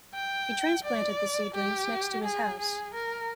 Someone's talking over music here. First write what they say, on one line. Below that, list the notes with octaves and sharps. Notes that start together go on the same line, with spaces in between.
He transplanted the seedlings next to his house.
G5
D5
G4
G#4
G#4
A#4